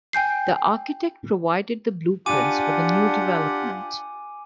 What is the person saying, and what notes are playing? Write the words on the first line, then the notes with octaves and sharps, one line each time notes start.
The architect provided the blueprints for the new development.
G5 G#5 G6 C7
D4 F4 G4 F#5 G#5 D6 D#7